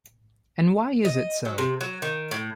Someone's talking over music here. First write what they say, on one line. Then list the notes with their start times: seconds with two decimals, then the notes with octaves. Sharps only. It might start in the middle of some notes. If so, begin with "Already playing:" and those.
And why is it so?
1.05 D#5
1.45 F#3
1.58 C3
1.81 F#3
2.02 D#3
2.31 A2